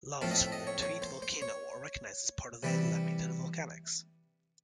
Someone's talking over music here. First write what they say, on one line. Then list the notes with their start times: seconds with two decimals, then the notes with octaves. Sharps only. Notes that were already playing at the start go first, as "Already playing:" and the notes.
Lavas from the Tweed Volcano are recognised as part of the Lamington Volcanics.
0.21 A2 F3 A3 C4 F5
0.31 D#5
0.37 E5
0.52 D#5
0.67 C#5
0.82 C#5
1.02 C5
1.22 C5
1.42 C#5
2.63 C3 E3 G3 C4